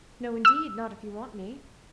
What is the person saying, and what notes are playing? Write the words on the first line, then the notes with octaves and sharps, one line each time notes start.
"No, indeed--not if you want me."
E6